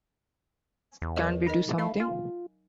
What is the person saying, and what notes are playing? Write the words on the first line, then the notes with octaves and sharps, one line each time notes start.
Can't we do something?
E2
F#3 A#4 D#5
D#4 A#4 D#5
A3 D#5 F5 B5
F4 G#5